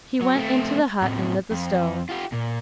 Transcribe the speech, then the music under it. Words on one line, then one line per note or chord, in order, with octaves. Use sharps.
He went into the hut and lit the stove.
F#3
A3 C4
A2 C3
F2
F4 G4
A#2